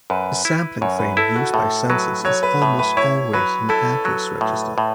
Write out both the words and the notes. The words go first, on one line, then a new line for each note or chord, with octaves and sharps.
The sampling frame used by census is almost always an address register.
F#2 B4
E4
F#2 C#5
B4
E4 A4
F#4
A2 A4
F#3 B4
F#3 C#5
B4
A2
B4
E4 C#5
F#3 B4
E4 A4
F#3
A2
A2